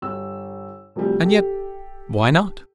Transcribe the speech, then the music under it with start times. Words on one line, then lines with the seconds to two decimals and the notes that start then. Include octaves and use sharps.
And yet--why not?
0.02 G1 E6
0.96 D2 C3 F3 G3
1.22 G4 A4